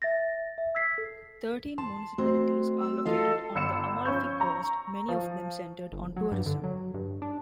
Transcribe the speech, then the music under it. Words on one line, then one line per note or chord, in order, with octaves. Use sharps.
Thirteen municipalities are located on the Amalfi Coast, many of them centered on tourism.
E5 A6 A#6
E5
E6 G#6 B6 C7
A4
A5 C6
A3 C4 F#4 C6
E6
F4 A4 D#5 F5
G1 E6 C#7 E7
F3 C#4 C#6 G6
A#5 C#6
F3
G1
F#3
G2
D3
F#3
G2
D4